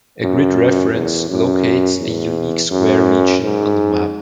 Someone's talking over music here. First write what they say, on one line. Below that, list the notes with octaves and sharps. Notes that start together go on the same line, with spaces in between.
A grid reference locates a unique square region on the map.
F#2
E2
F#2
E2
F#2
G#2